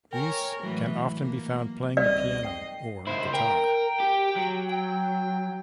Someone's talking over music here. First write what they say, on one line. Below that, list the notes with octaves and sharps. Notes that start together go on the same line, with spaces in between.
Wees can often be found playing the piano or guitar.
A#4 C#5 G5 G#5
A2 E3 F#3 G#3
A#3
C#2 G#2 G3 C4 D5 D#5
G5 C7
C#2 E4 C5
A#4 G5
G4
F#3
G5